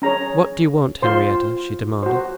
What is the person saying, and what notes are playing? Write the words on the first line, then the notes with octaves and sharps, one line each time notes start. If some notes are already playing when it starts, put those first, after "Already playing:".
"What do you want, Henrietta?" she demanded.
C#4 G#4 C#5 A#5
F4 C5 C6
F#4 C5